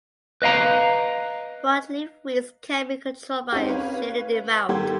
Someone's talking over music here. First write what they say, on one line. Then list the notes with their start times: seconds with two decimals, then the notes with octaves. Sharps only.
Broadleaf weeds can be controlled by shading them out.
0.42 B4 D#5 F5 A#5
3.52 C4 C#4 D#4 G4
3.69 B4 C#5 F5
4.69 G#1 G3 G4 A4 C6 G#6